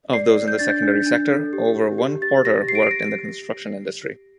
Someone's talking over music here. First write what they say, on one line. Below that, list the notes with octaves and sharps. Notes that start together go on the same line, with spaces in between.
Of those in the secondary sector, over one-quarter worked in the construction industry.
D5 C7
D5
G6
D4 A6
G6
D4
D4
A4
G4
G4
G4
G4 A6
G4 A#6
G4 C7
D7
C7
A#6